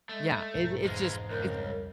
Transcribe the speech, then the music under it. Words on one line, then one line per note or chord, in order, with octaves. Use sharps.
Yeah. It it's just it's
G#3 A3
B1 G#2
E1 F2 G#3 B3 F4
C#2 A#4
C2 F2 G3